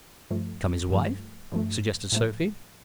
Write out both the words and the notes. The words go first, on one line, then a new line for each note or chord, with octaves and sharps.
"Become his wife?" suggested Sophie.
G2 F3 A3
G2 F3 A3
G2 F3 A3
A2 F3 A3